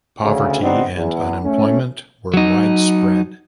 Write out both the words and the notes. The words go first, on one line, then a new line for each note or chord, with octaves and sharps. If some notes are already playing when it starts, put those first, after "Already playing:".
Poverty and unemployment were widespread.
D2 C#3
D3 G3 B3 C4 D4 D#4
E2
A3 C#4
F#3 D#4